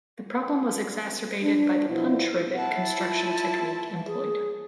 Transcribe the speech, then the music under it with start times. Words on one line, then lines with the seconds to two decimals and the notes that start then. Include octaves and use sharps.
The problem was exacerbated by the punch rivet construction technique employed.
1.42 D4
1.88 B2 F3 E4
2.54 E4 F#5 A5
2.98 F4
4.07 G#4